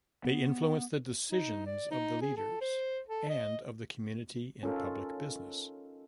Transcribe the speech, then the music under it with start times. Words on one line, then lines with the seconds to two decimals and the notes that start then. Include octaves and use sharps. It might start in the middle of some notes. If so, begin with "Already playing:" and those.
They influence the decisions of the leaders and of the community in public business.
0.25 B3
1.31 D#4
1.66 D5
1.91 D#4
2.21 G#4
2.37 A4
2.61 C5
3.08 A4
3.30 D#5
4.63 C#4 D#4 F4 A4 A#4